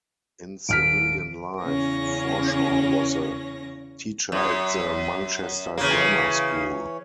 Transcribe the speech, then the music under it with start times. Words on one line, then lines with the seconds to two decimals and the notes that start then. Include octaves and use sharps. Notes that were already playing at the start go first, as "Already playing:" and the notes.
In civilian life Forshaw was a teacher at The Manchester Grammar School.
0.69 D#1 F6 B6 D7
1.64 E2 C#3 C#4 C#5 A#6
4.32 F#2
5.78 C#3 E3 A#3 C#5